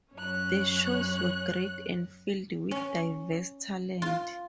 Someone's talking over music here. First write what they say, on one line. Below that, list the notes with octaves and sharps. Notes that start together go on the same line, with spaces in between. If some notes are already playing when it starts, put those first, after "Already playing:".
The shows were great and filled with diverse talent.
F#2 C#4 C#5 F#6
C#4
F4